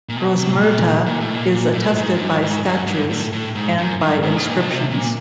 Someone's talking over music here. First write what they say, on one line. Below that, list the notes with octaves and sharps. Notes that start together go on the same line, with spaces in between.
Rosmerta is attested by statues, and by inscriptions.
A#2
B2
C3
A2
A#2
A#2
A2
A#2
A#2
A2
G#2
F#2
G2
G#2
F#2
G2
A2
A2
G#2
F#2
G2
G#2
B2
A#2
B2
C3
A#2